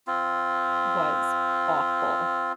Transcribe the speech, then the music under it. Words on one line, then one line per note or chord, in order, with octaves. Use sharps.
was awful,"
C4 F4